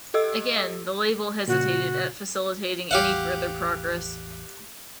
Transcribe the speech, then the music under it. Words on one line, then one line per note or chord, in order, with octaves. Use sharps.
Again, the label hesitated at facilitating any further progress.
G4 A4 D#5 E6
A#2 C#3 F#4
A1 E2 G4 F5 F#5